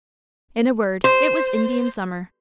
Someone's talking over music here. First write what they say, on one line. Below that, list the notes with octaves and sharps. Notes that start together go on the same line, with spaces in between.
In a word, it was Indian summer.
C5